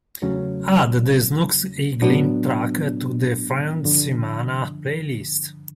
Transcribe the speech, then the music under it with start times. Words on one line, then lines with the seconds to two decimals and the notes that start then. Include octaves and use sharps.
Add the snooks eaglin track to the friendesemana playlist.
0.22 E2 C#3 F#3 A3 C#4
2.02 A2 F#3 B3 D4
3.84 G2 D3 F3